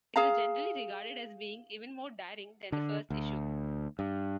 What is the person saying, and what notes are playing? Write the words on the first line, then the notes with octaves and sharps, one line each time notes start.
It was generally regarded as being even more daring than the first issue.
G#4 F5 A#5
D3
D2
G2